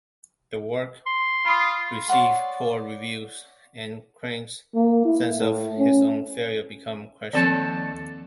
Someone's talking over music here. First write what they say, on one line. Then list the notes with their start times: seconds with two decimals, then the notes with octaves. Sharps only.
The work received poor reviews, and Crane's sense of his own failure became crushing.
1.06 C6
1.45 F4 B5 D#6
2.08 C#5 D5 F#5 C6
4.75 A#3
5.05 E4
5.37 A2
5.79 C#4
7.33 D#2 F3 C4 A4 D5 A5